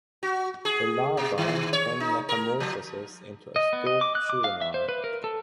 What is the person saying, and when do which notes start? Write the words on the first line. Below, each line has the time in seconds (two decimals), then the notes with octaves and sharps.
The larva then metamorphoses into a stalked juvenile.
0.23 F#4
0.65 G#4
1.17 B2
1.38 D#3
1.73 C#5
2.00 D#4
2.29 A#4
2.60 F3
3.56 D#5
3.73 B3
3.87 D#5
4.01 D6
4.15 F#6
4.30 D6
4.44 F5
4.61 E5
4.74 C5
4.89 B4
5.04 A#4
5.24 A4